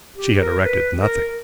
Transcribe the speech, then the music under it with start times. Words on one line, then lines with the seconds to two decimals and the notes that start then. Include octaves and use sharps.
She had erected nothing.
0.16 G4
0.40 A#4
0.64 B4
1.00 A#4